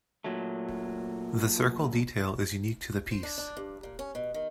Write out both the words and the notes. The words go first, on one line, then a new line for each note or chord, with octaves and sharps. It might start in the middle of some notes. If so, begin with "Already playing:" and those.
The circle detail is unique to the piece.
A#2 F#3 A3
C5
D4
D4
G2
A#2
C#4
B2
D#3